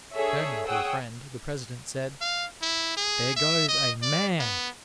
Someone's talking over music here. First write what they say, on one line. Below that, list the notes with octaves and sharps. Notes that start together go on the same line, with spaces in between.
Turning to a friend, the President said, "There goes a MAN!"
D4 G#4 A4 C#5 E5
G#4 C#5 F#5 G5 D#6 E6
F5
E4
G#4
E5
D#5
D5
B3